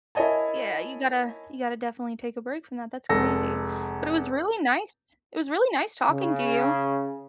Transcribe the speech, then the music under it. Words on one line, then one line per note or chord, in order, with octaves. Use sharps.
Yeah, you gotta you gotta definitely take a break from that, that's crazy. But it was really nice it was really nice talking to you.
E4 A#4 C#5 D#5 G#5 A5
F1 G#3 A4 A#6
C#3